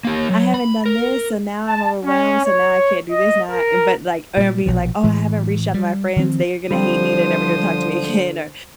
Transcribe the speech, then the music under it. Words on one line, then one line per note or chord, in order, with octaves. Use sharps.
"I haven't done this, so, now I'm overwhelmed, so, now I can't do this now" But, like, er, I'm being, like, "Oh I haven't reached out to my friends, they are gonna hate me, they're never gonna talk to me again," or,
A#3 G4
F#3
B5
A#4
A5
C#4
C#5
D#5
A#4
A#2 F#3 G3
A#1 B2 F3
A2 E3 G#3
G3
D#3 F3 A3 C4
D3 F3 G3 C4 C5 D#6